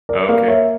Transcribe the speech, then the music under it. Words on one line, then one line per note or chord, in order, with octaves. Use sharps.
Oh, okay.
A#4 D5
A#3 D5 F5
C#5 E5